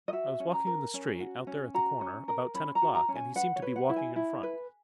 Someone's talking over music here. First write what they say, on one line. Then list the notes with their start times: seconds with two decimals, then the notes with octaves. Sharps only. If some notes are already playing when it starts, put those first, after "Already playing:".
I was walking in the street, out there at the corner, about ten o'clock and he seemed to be walking in front.
0.08 D#5
0.13 F#4 E5
0.40 C#4
0.53 A#5
0.67 A#4
0.94 C#4
1.20 F#4
1.47 C#4
1.74 F#4 A#5
2.01 C#4
2.28 A#4
2.54 C#4 B5
2.75 A#5
2.82 F#4
2.95 A#5
3.09 C#4
3.15 G#5
3.35 B4 F#5
3.56 C#5
3.62 B4
3.76 F#5
3.89 E4
3.96 G#5
4.16 E4
4.43 B4